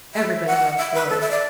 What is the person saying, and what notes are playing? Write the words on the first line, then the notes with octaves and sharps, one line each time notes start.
Everybody loves Glory.
E5
F#5
E5
B4
A4
E5
D5